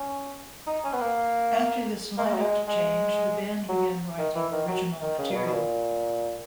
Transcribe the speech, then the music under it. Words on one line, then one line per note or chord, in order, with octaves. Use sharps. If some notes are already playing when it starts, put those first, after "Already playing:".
After this lineup change, the band began writing original material.
Already playing: C#4
D#4
C#4
B3
A#3
A#3
G#3
F#3
G#3
G#3
F#3
D#3
E3
D#3
F#3
D#3
C#3
A#2
B2
B2
A#2